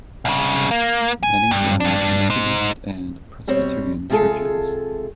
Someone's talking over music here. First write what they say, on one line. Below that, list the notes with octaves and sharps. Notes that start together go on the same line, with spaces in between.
Many joined Methodist and Presbyterian churches.
C2 C#3
A#3
G#5
G2
G2 D4
D#4 C5
B2 G3 C4 C#5
C3 G#3 F4 F#4 G#4 A4